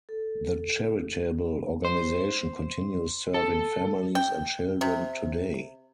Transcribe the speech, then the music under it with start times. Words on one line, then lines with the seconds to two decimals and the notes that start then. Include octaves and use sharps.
The charitable organization continues serving families and children today.
0.09 A4
1.85 C5
3.34 A4
4.15 G5
4.81 C3